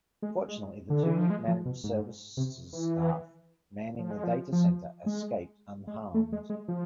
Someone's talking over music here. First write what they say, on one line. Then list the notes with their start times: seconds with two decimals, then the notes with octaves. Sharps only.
Fortunately the two managed services staff manning the Data Centre escaped unharmed.
0.23 G#3
0.48 G#3
0.90 D3
1.03 E3
1.16 F3
1.30 G#3
1.48 F3
1.66 B2
1.84 G#2
2.37 C3
2.73 E3
3.99 F3
4.11 G#3
4.24 F3
4.53 F3
5.06 G#3
5.87 G#3
6.14 A3
6.32 G#3
6.50 G#3
6.68 F3